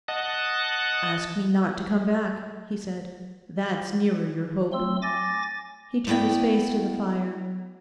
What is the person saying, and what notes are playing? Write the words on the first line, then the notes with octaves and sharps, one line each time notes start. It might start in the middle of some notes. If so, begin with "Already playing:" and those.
'Ask me not to come back,' he said; 'that's nearer your hope.' He turned his face to the fire.
D#5 F#5 A5
F#3 A3 C4 C6 E6
G#5 D6 A6 A#6
A3 B3 E4 D5 G5